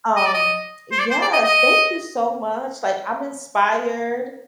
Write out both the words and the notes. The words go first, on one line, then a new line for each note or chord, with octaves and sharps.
um, yes, thank you so much, like I'm inspired.
D#5
D5
D#5
C5
D5
C5
D5
D#5
D#5